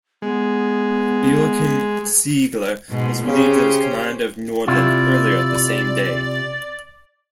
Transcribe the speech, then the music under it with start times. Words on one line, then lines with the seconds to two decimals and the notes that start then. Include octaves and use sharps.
Joachim Ziegler was relieved of his command of "Nordland" earlier the same day.
0.22 G#3 B3
2.89 G#2 B2 G#3
3.26 C#3 C#4 G4 C5
4.67 C3 E4 F4 D5